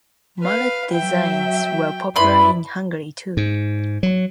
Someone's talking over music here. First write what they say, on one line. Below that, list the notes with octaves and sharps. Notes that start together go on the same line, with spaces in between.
Mallet designs were popular in Hungary, too.
B4 F5
F#3 E5 G5
F#2 E4 B4 D5 B5 C6
G#2
F#3